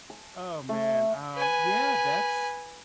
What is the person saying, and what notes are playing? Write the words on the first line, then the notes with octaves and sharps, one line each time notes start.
Oh, man. Um, yeah. That's
A5
A3
B4 G#5